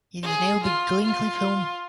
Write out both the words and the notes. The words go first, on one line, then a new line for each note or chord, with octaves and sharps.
It is now the Glencliff Home.
G#4
F4
F4